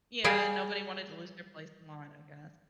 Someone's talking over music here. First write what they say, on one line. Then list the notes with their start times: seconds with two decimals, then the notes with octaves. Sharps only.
Yeah. Nobody wanted to lose their place in line, I guess.
0.24 G3 G#4 F5 G5 G#5